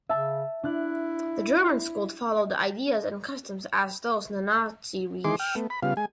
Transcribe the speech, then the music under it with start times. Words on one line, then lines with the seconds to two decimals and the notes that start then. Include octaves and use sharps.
The German school followed ideas and customs as those in Nazi Reich.
0.09 C#3 E5 A5
0.64 D4 E4 F#6
5.24 D#3 E3 G#3 G#4 C6 D6
5.40 G5 F6
5.55 A3 B3
5.70 B5
5.83 C#3 G3 B3 F4 F5
5.97 G#3 G#5